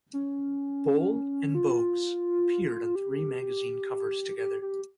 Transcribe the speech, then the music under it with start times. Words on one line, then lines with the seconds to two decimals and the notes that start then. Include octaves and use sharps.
Bol and Bogues appeared on three magazine covers together.
0.13 C#4
1.55 F4
2.95 G4
4.37 G4
4.62 G4